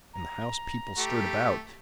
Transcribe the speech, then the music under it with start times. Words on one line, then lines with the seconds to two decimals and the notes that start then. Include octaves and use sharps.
In the house people stirred about.
0.14 A#5
0.98 A3 G4